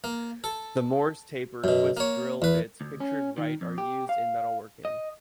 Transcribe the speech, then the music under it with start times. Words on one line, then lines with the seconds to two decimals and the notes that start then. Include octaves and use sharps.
The Morse taper twist drill bits pictured right are used in metalworking.
0.04 A#3
0.44 A4
1.64 F#2 B2
1.97 A#3 C#5
2.42 E2 B4
2.81 D2
3.00 C#4
3.38 D#3
3.61 F2
3.78 G4
4.09 F5
4.85 D#5